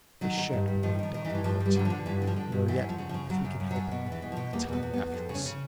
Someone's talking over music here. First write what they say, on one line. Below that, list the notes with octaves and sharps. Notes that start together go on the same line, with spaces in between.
They shan't be rubbed out in our time, nor yet, if we can help it, in the time after us.
D#3 F#3
D#3
G2
G2
D#3 F3
D#3 F3
D#3
E3
G2
E3
G2 F3
G2
G3
D3 F#3
F3
D3
G2 E3
D3
F3
D3
G2
F#2 E3
F#2
F3
C#3
F3
C#3
C#3 F#3
F#2
F#2
F#3
F#2
B2
E2
E3
B2
F3
B2
E2 A#3
E2 B3
E2
B3
E2
F2
C#3
C#4
C#3